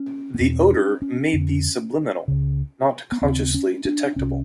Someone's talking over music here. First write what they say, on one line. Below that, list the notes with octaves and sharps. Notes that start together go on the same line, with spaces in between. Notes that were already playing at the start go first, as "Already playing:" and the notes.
The odor may be subliminal-not consciously detectable.
Already playing: C#4
B3
E2 B2 C4
C#4
C#4
F2 D3
C#2 C#3
B3
D#2 C#3 C4
C#4
D4
C2 C3 C#4